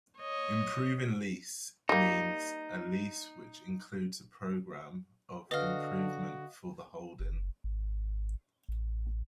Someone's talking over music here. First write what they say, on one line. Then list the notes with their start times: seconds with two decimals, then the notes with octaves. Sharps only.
"Improving lease" means a lease which includes a programme of improvement for the holding.
0.19 C#5 D#5
1.89 G3 A#3 D#4
5.51 D3 F#4 B4 D#5 F5
7.20 F#1
7.64 G#1
8.69 A1